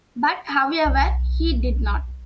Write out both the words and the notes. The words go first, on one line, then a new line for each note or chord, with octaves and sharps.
But, however, he did not.
B1